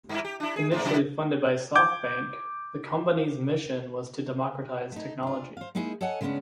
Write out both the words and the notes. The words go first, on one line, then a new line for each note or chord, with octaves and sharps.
Initially funded by SoftBank, the company's mission was to democratize technology.
G2 E4
G4
D4 E4
G#4
G#2 C#3 A#3
C3 F#3 E4
D6 G6 G#6
A3 D#4
D4 F4
C5 F5
G#3 A#3 D#4 E4 G#4
A4 C#5 D#5 F#5 G#5
C#3 G#3 A#3 B3 C#4 D4